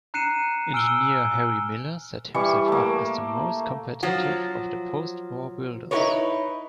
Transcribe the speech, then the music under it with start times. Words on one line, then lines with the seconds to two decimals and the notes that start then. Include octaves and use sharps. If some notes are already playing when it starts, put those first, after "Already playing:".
Engineer Harry Miller set himself up as the most competitive of the post-war builders.
0.14 A#5 F#6 C7 C#7 D#7 E7
0.73 G#5 E6 F6 D7 G7
2.34 E3 G3 C#6
2.68 A3 A#3
4.03 F3 F#3
5.91 D#4 E4 G4 A#4 B4 C#5